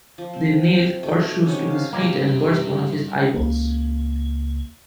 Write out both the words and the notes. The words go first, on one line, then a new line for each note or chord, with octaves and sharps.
They nailed horseshoes to his feet and burst one of his eyeballs.
F3
C4
G5
B2 D#3 A3
C3 D#3 C#4 F#5
F5
C#2 C3 G3 A#3 B4
C#2 A#3